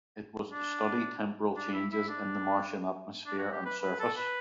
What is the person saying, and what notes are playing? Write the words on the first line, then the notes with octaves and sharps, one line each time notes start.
It was to study temporal changes in the Martian atmosphere and surface.
D4
D4
E4
E4
D4
D4
F#4
G4
B4
B4
A4
B4